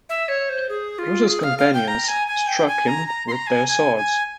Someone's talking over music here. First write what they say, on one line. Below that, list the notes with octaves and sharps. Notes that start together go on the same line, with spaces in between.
Bruce's companions struck him with their swords.
E5
C#5
C5
G#4
F4
G#4
F5
F5
G5
A#5
G#5
G#5
G5
G#5
A#5
A#5
C6
A#5
G#5
G#5
G#5